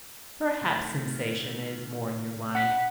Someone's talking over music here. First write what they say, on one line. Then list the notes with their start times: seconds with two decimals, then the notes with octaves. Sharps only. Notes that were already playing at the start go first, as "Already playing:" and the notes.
Perhaps sensation is more in your line.
0.61 C3 D#3 A3
2.55 D4 F#5 B5